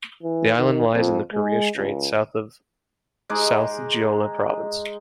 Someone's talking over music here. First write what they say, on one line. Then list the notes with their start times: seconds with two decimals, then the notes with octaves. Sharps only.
The island lies in the Korea Strait, south of South Jeolla Province.
0.23 E3
0.57 D#3
0.93 F2
1.33 G#3
1.76 C#2
3.30 G#3 D#4 G#4 D6